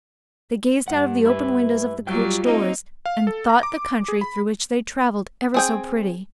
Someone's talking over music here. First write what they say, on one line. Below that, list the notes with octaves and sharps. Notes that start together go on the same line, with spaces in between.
They gazed out of the open windows of the coach doors and thought the country through which they traveled ever so pretty.
G2 F#5
E4 B4
F#3 G3 F4 G5
A#3 C4 D#4
F5
A4
A#5
D6
G#4
B5
C4 G#4 G5